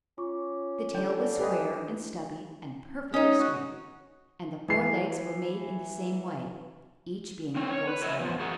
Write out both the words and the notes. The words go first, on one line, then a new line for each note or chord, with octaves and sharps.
The tail was square and stubby and perfectly straight, and the four legs were made in the same way, each being four-sided.
C#4 F4 C#6 D6
D3 G5
G4 B4 D#5 G#5 D6
D4 E4
C#4 D#4 D#5
F#4
E3 C7
C4 C#4
C#5
B4
E4 C#5 D#5 E5
E2 F3
F#4 G#4 A#4 F#5